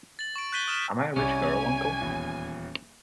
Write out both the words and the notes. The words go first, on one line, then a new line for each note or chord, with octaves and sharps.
Am I a rich girl, uncle?
A6 F#7
C#6 D7
F#6 G6 B6 D#7 G7
D#6 F6 E7
C2 C#4 G#5
D#1 E2